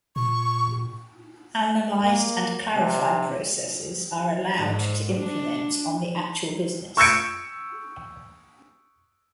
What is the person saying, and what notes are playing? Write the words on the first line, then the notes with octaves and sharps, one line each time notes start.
Analysed and clarified processes are allowed to implement on the actual business.
A#2 C#6
A#3
C3
G#2
D4
C#6 E6 G6 G#6 C#7 D7